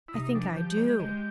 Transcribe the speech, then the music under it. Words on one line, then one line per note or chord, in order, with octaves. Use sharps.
"I think I do."
E4
C3 D#4
F3 D4
F3 G4
G#3
G#3